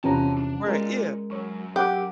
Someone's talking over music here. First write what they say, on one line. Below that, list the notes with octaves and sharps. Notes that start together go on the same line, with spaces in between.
Right, yeah.
E2 C3 F3 C#4 B4 F#5 A5 A#5
D4
G#3 F4 A#4 D5
F#2 C#5 C#6
G4 F#5 D6